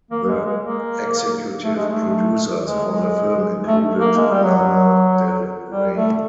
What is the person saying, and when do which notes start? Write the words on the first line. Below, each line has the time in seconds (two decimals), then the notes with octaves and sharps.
The executive producers for the film included Lana Del Rey.
0.11 A#3
0.27 G#3
0.44 G#3
0.61 A#3
1.63 A3
1.76 G#3
1.89 A3
2.65 G#3
2.90 G#3
3.67 A3
4.00 A#3
4.17 G#3
4.30 G3
4.43 F#3
4.55 F#3
5.70 G3
5.94 A3